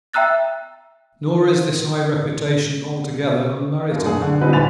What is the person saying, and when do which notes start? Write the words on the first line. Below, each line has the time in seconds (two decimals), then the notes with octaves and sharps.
Nor is this high reputation altogether unmerited.
0.13 E5 G5 A#5 E6 F#6 A6
3.91 F#2 A#3
4.04 A3 D4 G#4
4.22 D3
4.41 D3 F3 G3 C4 D#4 B4
4.53 D#1 D3 G#5 B5 A6 F7